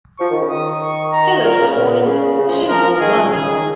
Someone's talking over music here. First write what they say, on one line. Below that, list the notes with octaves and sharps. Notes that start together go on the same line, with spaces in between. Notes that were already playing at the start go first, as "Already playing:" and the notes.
Hillage was born in Chingford, London.
F3 C#6
D#3
C#3
D#3 D#6
C#6
A#5
A#2 A#4
C#3
A#2
C#3
C#3
F3
G#3
F3 A#4
D#3 G#4
C#3
A#2
C#3 G#4
D#3